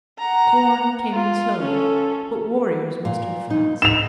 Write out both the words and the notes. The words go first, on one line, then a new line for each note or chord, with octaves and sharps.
Corn came in slowly, but warriors mustered fast.
F#5 A#5
F4
C#4 A4
A#2
D#4
D#4 E7 F7